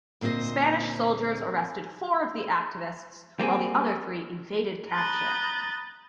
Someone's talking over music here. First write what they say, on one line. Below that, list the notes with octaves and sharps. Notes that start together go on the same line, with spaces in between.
Spanish soldiers arrested four of the activists while the other three evaded capture.
D2 A#2 C4 F4 C5 D#5
G3 A#3 C4 G#4
A#5 B5 D#6 F#6 G6 A6